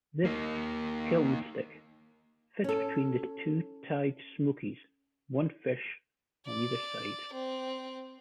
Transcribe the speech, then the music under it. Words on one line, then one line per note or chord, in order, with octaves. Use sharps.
This "kiln stick" fits between the two tied smokies, one fish on either side.
A#3 D#4
C#4 A4
D5
C4